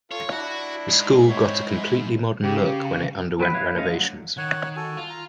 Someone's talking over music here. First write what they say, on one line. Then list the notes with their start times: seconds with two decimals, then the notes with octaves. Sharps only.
The school got a completely modern look when it underwent renovations.
0.11 F4 A4 C#5
0.31 D4 E4 F#4
0.89 G#2
1.30 C4 E4 C#5
1.68 E4
2.44 C#3 G4
3.40 F#3 C4 G4 B4 F#6
3.53 E4 B4 C#5 F5
3.76 A3 C#4 F4 D#5 F5
3.88 D3 F#3
4.37 D#3 C#5 F#5
4.76 F#4 A4 G#5
4.97 F4
5.10 A#5